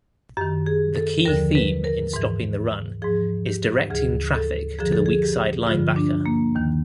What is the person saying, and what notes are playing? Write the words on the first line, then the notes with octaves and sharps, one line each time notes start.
The key theme in stopping the run is directing traffic to the weak-side linebacker.
F#2 D#3 G4
G#4
A4
D#2 D3 F3 A#4
B4
A#4
G#2 E3
G#2 F3 G#4
G4
D2 C#3 E3 G#4
A4
F#2 D3 F3 G#4
A4
G#4
G4
G2 D3 F3 F4
D4
A#3
D#2 D#3